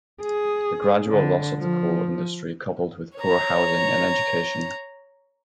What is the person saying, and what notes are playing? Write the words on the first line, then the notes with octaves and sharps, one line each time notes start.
The gradual loss of the coal industry coupled with poor housing and education.
G#4
D3
F3
C#5 A#5